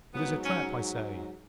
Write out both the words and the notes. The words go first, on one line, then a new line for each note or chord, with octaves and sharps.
It is a trap, I say.
G#2 F#3 B3
C#4